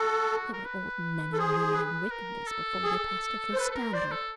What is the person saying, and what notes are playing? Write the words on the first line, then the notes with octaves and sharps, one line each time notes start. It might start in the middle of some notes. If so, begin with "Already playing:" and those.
They were old men and women in wickedness before they passed their first standard.
Already playing: F#4 A4
A#4
B4
A4
G#4 C5
B4
A#4
A4
G#4
C5
A4 B4
A4
A#4
C5 D5
A4